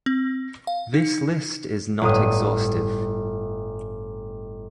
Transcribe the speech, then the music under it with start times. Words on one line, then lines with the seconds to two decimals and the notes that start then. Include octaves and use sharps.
This list is not exhaustive.
0.06 C4
0.67 F5
0.94 D#4
2.01 G1 A2 D#6